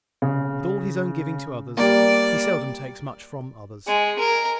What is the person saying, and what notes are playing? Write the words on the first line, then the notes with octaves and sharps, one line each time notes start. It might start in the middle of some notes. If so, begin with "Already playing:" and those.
With all his own giving to others he seldom takes much from others.
C#3
G3 A#3 D5
G#3
A#4